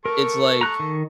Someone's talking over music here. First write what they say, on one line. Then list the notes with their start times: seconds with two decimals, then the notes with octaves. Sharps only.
it's like,
0.06 A4 A#4 C#6
0.61 A#5 F#6
0.80 D#3